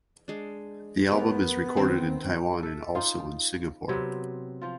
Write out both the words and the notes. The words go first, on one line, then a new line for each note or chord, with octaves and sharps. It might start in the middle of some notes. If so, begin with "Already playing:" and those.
The album is recorded in Taiwan and also in Singapore.
G#3 D4
B3 G4 A#4
D#3 C4
A4 E5
D#4 F4 C5
C3 F#3 B3 C4
F3 F4